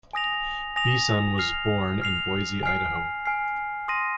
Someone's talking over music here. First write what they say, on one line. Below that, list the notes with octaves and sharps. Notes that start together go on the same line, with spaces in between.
Beeson was born in Boise, Idaho.
G#5 D#6 A#6 F7
G#5 D#6 A#6 F7
F6 C7 F7
F6 C7 F7
G#5 F6 C7
G#5 F6 C7
C6 D#6 A#6 D#7